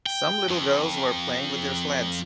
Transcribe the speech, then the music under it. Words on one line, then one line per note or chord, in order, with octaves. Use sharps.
Some little girls were playing with their sleds.
G5
F2